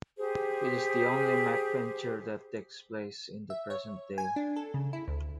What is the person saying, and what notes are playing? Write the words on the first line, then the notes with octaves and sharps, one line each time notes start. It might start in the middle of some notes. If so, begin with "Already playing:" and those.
It is the only MacVenture that takes place in the present day.
G4 G#4 C5
E5
C#5
G#5
D4
A4
C#3
E4
D2